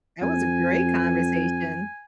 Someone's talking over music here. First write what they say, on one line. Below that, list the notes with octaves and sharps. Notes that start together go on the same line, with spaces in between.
That was a great conversation.
F2 G#5